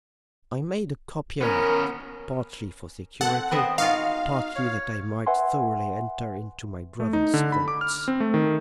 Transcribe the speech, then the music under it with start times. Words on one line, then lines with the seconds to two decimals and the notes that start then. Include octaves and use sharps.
"I made a copy of it,--partly for security, partly that I might thoroughly enter into my brother's thoughts."
1.41 B3 C#4 A#4
3.21 C4 A4 F#5
3.51 B3 C4 D#5 E5
3.78 D#4 F4 F#4 F5
4.30 D#4
4.56 C#5
5.27 B4 E5 F#5 G#5 C6
7.00 A3
7.13 D#4
7.34 D3
7.52 B5
7.68 D6
7.81 F6
8.08 C4
8.20 A3
8.34 D#3